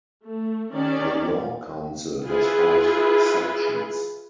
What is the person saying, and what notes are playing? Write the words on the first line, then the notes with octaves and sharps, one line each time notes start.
The Law Council has five Sections.
A3
D#3 C#4 G4 D5
E4 F4 G#4 B4